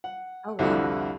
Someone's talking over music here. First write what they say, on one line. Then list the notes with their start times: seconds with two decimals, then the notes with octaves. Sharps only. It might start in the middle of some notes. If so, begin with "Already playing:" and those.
Oh, wow.
0.04 F#5
0.59 C2 F2 D3 E4 F#4